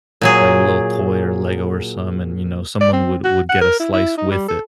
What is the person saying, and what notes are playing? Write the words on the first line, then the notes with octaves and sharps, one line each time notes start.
like, a little toy or Lego or some and, you know, someone would would get a slice with it.
A#2 F#3 G#4
D5
C4
F#4
F#5
A#4
E4
E4
D#4
G3
A4